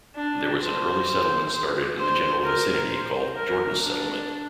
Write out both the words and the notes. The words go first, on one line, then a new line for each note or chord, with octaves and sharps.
There was an early settlement started in the general vicinity called "Jordan's Settlement".
D4
C5
C5
A#4
C5
A#4
D4